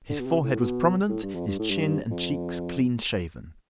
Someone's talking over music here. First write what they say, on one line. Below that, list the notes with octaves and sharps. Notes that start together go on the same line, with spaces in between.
His forehead was prominent, his chin and cheeks clean shaven.
D3
B2
C3
A2
B2
A2
G2
F2
G2
A2
G2
F2